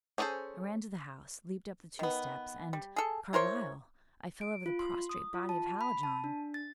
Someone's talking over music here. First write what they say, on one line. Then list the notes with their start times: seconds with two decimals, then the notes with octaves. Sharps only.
I ran to the house, leaped up the two steps, and--Carlyle--I fell over the prostrate body of Hallijohn!
0.18 C#4 D4 G#4 A4 C5
1.99 D#3 B3
2.73 G3
2.96 G#4 A4
3.33 E4 A#4 C5 C#5
4.41 D7
4.66 F4
4.79 C6
5.09 D#6
5.34 F4
5.49 A5
5.81 B5
6.03 A5
6.24 D4
6.54 A6